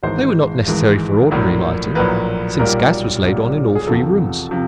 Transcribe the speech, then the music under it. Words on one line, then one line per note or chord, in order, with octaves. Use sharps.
They were not necessary for ordinary lighting, since gas was laid on in all three rooms.
G#1 G#2 E3 G#3 C5
G#1 G#2 E3 G#3
A#1 A2 F#3 A#3
A#1 A2 F#3 A#3 B4
B1 A#2 G3 A#4
B1 A#2 G3
G#4
F1 E2 C3 F3 A4
C3 F3